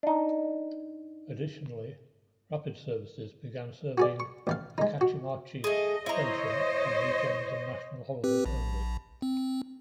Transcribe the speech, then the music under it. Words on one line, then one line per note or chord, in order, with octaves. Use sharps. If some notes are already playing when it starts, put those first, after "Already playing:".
Additionally, rapid services began serving Okachimachi Station on weekends and national holidays only.
D4 D#4
F#4 G#4 D5
C#6
A1 A3 F5
G#3 D#4
F#4
A3 G#4 D#5
E4 C5 C#5 D#5 A#5
C4 G4 B4
A#1
C4